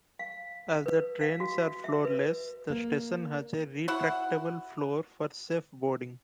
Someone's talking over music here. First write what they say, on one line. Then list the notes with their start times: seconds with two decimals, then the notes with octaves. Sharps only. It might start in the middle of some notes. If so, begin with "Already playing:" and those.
As the trains are floorless, the station has a retractable floor for safe boarding.
0.19 F5
0.86 B4
1.21 F5
1.40 F#4
1.84 E5
2.05 B4
2.70 A#3
3.88 E4 F#4 F#5